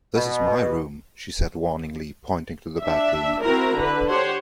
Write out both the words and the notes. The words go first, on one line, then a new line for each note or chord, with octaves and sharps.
"This is my room," she said warningly, pointing to the bedroom.
B2
D4 E5
C4 E4 F#4 A#4 A#5
D3 B4
G4 C5 C#5 F#5